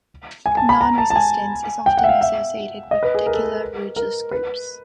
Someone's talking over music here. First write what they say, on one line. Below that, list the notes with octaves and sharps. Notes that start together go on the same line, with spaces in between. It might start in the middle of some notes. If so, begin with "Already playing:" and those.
Nonresistance is often associated with particular religious groups.
G#5
A5
B5
A#5
A5
A5
G#5
G5
F#5
E5
F5
E5
D#5
B4
G#4
A#4
A4
A#4
A#4
B4